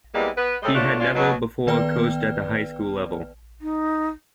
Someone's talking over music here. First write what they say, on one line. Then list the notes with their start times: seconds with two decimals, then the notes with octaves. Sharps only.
He had never before coached at the high school level.
0.15 C3 E3 G3 G#3 A#3 B3
0.37 B3 B4
0.63 C3 G3 G#3 C#4 A4 D#5
0.75 G2 D3 A3 D4 F4 C#5
1.00 C#4 D4 F4
1.15 B2 F#3
1.67 D#3 B3 B4 D5 G5 F6
3.61 D#4